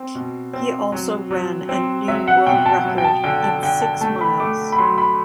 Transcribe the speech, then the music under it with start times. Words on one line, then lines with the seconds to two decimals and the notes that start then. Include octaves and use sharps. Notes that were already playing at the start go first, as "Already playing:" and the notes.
He also ran a new world record in six miles.
Already playing: C4
0.15 B2
0.53 C4
0.92 F#3
1.31 F#3
1.69 C4
2.08 F#3 E5
2.28 F#5
2.47 B2 G5
2.66 A5
2.85 F#3
2.98 G5
3.04 A5
3.24 D3 G5
3.43 A5
3.63 D3 G5
3.82 A5
4.01 A3 A5
4.21 B5
4.39 A3 D6
4.72 B5
4.79 F#3 C6
4.98 B5